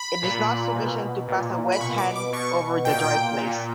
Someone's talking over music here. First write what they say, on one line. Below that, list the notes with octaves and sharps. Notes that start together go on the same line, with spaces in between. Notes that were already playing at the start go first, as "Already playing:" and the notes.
It is not sufficient to pass a wet hand over the dry place.
Already playing: B5
A#2
B2
A#2
B5
B2 C#6
D6
D6
B2 C#6
A#2 G5
A#2